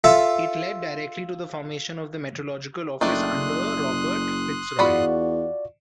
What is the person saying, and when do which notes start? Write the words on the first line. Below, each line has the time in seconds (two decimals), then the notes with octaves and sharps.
It led directly to the formation of the Meteorological Office under Robert Fitzroy.
0.04 F4 A4 E5
3.01 F#1 D#3 A3 D4 C6 D#6 F#6
4.79 E2 F4 F#4 D5 B5